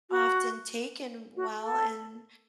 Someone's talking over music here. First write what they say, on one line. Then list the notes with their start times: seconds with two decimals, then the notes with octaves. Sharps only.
often taken well, and
0.10 F#4
1.36 F#4
1.61 A4